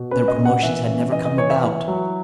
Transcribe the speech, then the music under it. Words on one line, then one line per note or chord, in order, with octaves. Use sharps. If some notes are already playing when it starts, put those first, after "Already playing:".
Their promotions had never come about.
Already playing: B2
C#4 B4
D#5
A#2
F#5
E3 E5
C#4
E3 D#5
D#5
E3 C#5
E5
E4
F#3